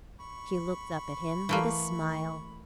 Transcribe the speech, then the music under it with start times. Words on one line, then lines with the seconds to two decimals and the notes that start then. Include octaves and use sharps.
She looked up at him with a smile.
0.20 B5 C#6
1.49 E3 A3 A#3